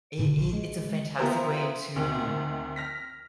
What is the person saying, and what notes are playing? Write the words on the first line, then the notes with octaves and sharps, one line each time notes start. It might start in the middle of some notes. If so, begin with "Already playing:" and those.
It it it's a fantastic way to
B2 D3 D#3
A#1
G#3
B3 E4 F4 G4 A#4 C5
D2 C3 D#3
F6 A#6 B6